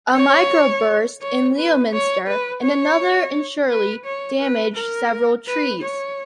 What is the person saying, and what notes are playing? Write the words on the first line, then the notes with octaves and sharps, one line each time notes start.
A microburst in Leominster and another in Shirley damaged several trees.
C#5
C#5
B4
C#5
B4
C#5
B4
C#5
B4
A#4
B4
C#5